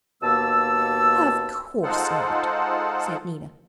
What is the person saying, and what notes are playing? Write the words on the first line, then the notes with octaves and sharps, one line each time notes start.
"Of course not," said Nina.
D#2 B2 A#3 A5 E6
G#3 D#4 F4 A4 C5 F#5